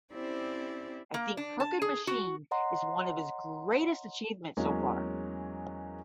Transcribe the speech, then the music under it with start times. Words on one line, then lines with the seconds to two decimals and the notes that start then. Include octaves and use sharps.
I think "Crooked Machine" is one of his greatest achievements so far.
0.13 C4 C#4 E4 G4 C5 D5
1.14 A#3
1.37 D4
1.60 A5
1.82 G#4
2.07 F#4
2.51 C#5 D#5 F#5 A#5 C6
4.57 E2 F#3 G#3 A#3 C#4